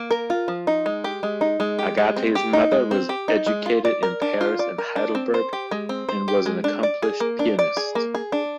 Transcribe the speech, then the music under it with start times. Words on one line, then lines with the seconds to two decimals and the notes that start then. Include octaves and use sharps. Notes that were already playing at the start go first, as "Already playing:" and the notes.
Agate's mother was educated in Paris and Heidelberg, and was an accomplished pianist.
Already playing: A#3
0.11 A#4
0.30 F4
0.48 F3
0.67 D#4
0.86 G#3
1.04 G4
1.23 G#3
1.41 D#4
1.60 G#3
1.79 G4
1.97 G#3
2.16 C4
2.35 G4
2.53 D#4
2.72 G#3
2.91 C4
3.09 G4
3.28 D#4
3.46 G#3
3.66 F4
3.85 D5
4.03 A#4
4.22 D4
4.41 F4
4.59 D5
4.78 A#4
4.96 D4
5.15 C4
5.34 C5
5.53 G4
5.71 G#3
5.89 C4
6.09 C5
6.28 G4
6.46 G#3
6.64 D4
6.83 D5
7.02 G#4
7.20 A#3
7.39 D4
7.59 D5
7.77 G#4
7.95 A#3
8.15 G#4
8.32 D4